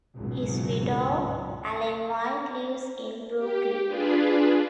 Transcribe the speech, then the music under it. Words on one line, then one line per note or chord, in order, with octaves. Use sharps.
His widow, Allene White, lives in Brooklin.
G#1 C#2 G#2 B2 F#3
G4
D4 F4 G#4 B4